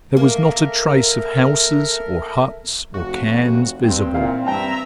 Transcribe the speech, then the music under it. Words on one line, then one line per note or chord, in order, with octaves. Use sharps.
There was not a trace of houses, or huts, or cairns visible.
A#3 A4 A#4 E5
F1 F#4
G2 C4
A#2 E4 F5
G2 E5 G5 A5 A#5